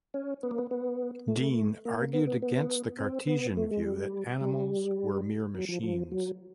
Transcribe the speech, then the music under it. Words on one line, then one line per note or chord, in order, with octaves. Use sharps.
Dean argued against the Cartesian view that animals were mere machines.
C#4
B3
A#3
B3
B3
A3
A#3
B3
B3
B3
C4
B3
A3
G#3
G3
G3
F#3
F3
F3
F#3